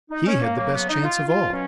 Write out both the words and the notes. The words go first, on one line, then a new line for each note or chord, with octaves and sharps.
He had the best chance of all.
D#4
C#4
A#3
C#3 F#3 A#3
B3
D#4
F4
F4
B2 F#3 C#4